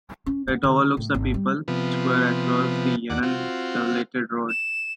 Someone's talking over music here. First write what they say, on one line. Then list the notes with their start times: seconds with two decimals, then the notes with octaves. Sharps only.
It overlooks the People's Square across the Yan'an Elevated Road.
0.26 C#4
0.48 B3
0.64 D3
0.97 A2
1.14 G#1
1.34 G3
1.68 C3 F3 B3
3.10 D#2 D5 F#5
3.23 C4 F4 F#4
4.49 E7